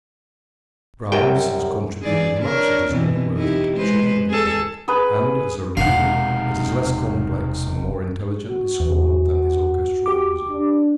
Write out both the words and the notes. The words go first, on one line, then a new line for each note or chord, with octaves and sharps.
Brahms has contributed much that is noteworthy to chamber music, and, as a rule, it is less complex and more intelligently scored than his orchestral music.
C2 F#2 G4 A#4 G5
E3 G#4 D5
D4 A#4 C#5
B2 E3 C4
D#4 E4 G4
G#3 B4 C5
G#4 A4
G#4 B4
E1 C3 D#3 F5 F#5
F#4
E2
G4 D6
D4